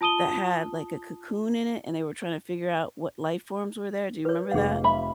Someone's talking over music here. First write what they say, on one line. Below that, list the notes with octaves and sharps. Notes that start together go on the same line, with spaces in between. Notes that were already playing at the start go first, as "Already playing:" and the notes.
that had, like, a cocoon in it and they were trying to figure out what life forms were there. Do you remember that?
F4 A5 D#6 D#7 G7
B4 C#5
F1 G#4 F5 F#5
E5 B5